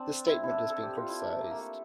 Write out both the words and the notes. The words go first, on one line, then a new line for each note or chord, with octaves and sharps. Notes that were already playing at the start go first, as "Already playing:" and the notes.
This statement has been criticized.
Already playing: C4 D4
E4
E4
D4
A4
G4
F4
E4
D4
A#3
A#3
A3